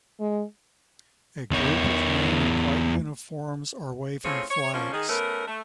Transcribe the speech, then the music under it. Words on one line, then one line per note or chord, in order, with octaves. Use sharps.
A group of men in white uniforms are waving flags.
G#3
E2 C#5
A2 C4 C#4 F4 G#4 C#5
C#5
F3 A#3 C4 C#4
D#3 D#4 G#4
A3 B3 C#4 A#4
A3